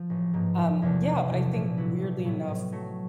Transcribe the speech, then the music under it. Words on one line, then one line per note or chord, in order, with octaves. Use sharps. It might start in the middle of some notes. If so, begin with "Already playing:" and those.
um, yeah, but I think, weirdly enough, m
Already playing: F3
A1
G#2 F3 A#3
F#1
E2 C3 F3 A3
F#1
E2 C3 F3 A3
A#1
A2 F#3 B3 E4
A#1
A2 F#3 B3 E4
A2
F#3 A3